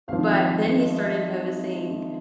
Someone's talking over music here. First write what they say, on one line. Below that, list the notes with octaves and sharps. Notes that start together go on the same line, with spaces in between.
But then he started noticing
G#1 G#2 F3 F5
E5
D#5
D#5
D#5
D#5